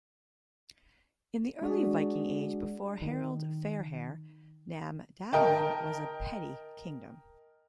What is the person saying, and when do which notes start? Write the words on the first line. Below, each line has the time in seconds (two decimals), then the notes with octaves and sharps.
In the early Viking Age, before Harald Fairhair, Namdalen was a petty kingdom.
1.61 G#3 D4 F#4 G#4 D5
3.02 D#3
5.32 A#4 D#5 G5 A5